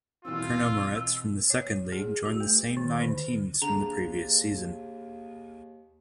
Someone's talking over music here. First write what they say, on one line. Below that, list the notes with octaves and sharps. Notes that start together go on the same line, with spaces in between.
Chernomorets from the second league joined the same nine teams from the previous season.
B2 E3 C4 F4 E6
C#5
G#4
F#4
A3
D#3
D3
D#2 D3 G#4 A#5